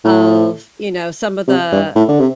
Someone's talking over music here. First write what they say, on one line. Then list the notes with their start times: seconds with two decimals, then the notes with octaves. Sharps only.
of, you know, some of the
0.05 A2
1.48 C3
1.72 G2
1.96 A2
2.08 D3
2.20 C3